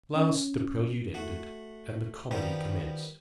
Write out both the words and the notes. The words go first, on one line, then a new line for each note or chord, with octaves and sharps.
At last the prelude ended, and the comedy commenced.
C#4
A3 F#4
D#3 F3 G3 B3 A#4